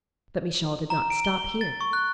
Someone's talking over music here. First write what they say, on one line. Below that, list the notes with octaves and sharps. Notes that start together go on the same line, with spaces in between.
But Michal did not stop here.
A#5
D7
G7
A6
C#6
F#6